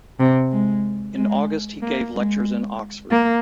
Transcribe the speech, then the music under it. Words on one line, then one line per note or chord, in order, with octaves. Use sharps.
In August he gave lectures in Oxford.
C3
G#3
G#3
A#3
G#3
A#3